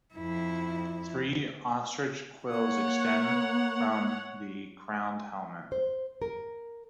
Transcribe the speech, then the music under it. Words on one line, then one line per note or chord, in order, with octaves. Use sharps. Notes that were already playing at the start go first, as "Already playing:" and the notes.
Three ostrich quills extend from the crowned helmet.
F2 E4
A#3 C#5 F#5
C5
A#4